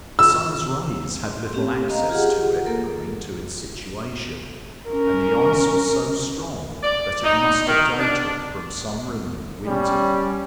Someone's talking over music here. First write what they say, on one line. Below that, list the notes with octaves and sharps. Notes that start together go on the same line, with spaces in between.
The sun's rays had little access to it, owing to its situation, and the ice was so strong that it must have dated from some remote winter.
E6
C6
C4 C#4 G4
D#5 F5 A#5
F4 G4 G#4 F#5
A#3 A4 A#4
C#4 A#4
D5
D#4
D#3
D4
G3 C#4